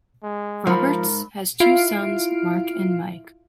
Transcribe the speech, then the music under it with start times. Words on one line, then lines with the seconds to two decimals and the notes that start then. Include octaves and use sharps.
Roberts has two sons, Mark and Mike.
0.23 G#3
0.67 G#2 F3 A#4 B5
1.60 E4 F4 F5 F6 C7 D7